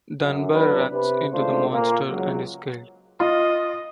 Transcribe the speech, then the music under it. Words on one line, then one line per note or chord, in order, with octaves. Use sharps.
Dunbar runs into the monster and is killed.
F#2
E2 F#3 D4 B4
C3 B4
G#1 C#2 A3 D4 F4 C5
A#2 A#3
C#2 F#3
F4 D#5